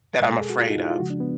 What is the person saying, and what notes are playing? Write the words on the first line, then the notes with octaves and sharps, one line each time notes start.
that I'm afraid of.
B2 G#3 A#4
A4
G#4
F#4
F4
D#4
E4
F4
C#3 F3 G#3 F#4
D4
B3